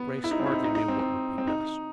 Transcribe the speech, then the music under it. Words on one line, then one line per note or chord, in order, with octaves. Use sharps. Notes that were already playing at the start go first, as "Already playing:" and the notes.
Grace hardly knew what would be best.
Already playing: B3
E4
D#4
C4
E4
D#4
D#4
D#4
C4
C4
C4
D#4